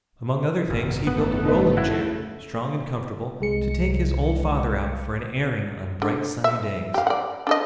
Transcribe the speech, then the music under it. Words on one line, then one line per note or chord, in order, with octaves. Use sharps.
Among other things, he built a rolling chair, strong and comfortable, to take his old father out for an airing on bright, sunny days.
G#1 F#2 B2
C#3 A3 B3 A4
D#4 B4
E4 F#4
C2 G#3 C#7
D3
E5
G4 F5
D5 F#5
D4 A4 D#5